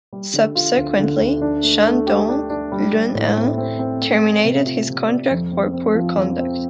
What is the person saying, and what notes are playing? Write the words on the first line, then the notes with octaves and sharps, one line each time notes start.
Subsequently, Shandong Luneng terminated his contract for poor conduct.
G3
D3
F4
D2
D3
D2
D4
A3
A3
G4
D4
D4
G3
G3
A2
C4
C4
C4
A3
A3
C3
F4
C3
D5
F2
C4
C4
F3
F2
C4